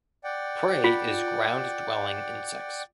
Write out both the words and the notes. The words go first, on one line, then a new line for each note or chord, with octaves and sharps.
Prey is ground dwelling insects.
D5 F#5 G5
F4